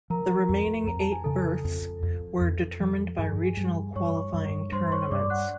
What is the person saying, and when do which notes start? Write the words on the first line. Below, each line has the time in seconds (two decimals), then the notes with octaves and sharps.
The remaining eight berths were determined by regional qualifying tournaments.
0.10 F3 A#4 A#5
0.49 F2
0.87 F2 A#5
1.00 A5
1.12 G#5
1.24 C#3 A4 A5
1.64 F2
2.03 F2
2.41 F2
2.80 F3
3.18 G2 G#4 G#5
3.57 G2
3.96 G2 C#5 C#6
4.34 G2
4.72 G2 C5 C6
4.92 C#5 C#6
5.11 G2 D5 D6
5.30 F#5 F#6